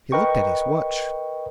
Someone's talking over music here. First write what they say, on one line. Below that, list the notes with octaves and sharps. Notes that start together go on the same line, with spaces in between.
He looked at his watch.
A#4 B4 D#5 G5 C#6